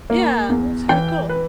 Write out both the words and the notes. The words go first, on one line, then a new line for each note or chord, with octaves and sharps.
Yeah, that's kind of cool.
A#3
E2
E3 G5
B4